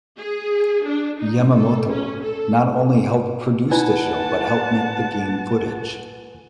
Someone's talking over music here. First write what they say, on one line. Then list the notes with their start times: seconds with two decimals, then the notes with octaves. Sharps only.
Yamamoto not only helped produce the show but helped make the game footage.
0.17 G#4
0.86 D4
1.20 D#4
1.54 A4
1.90 C#4
2.23 A4
3.71 D#4 E4 B4 D5 F#5 G#5 A5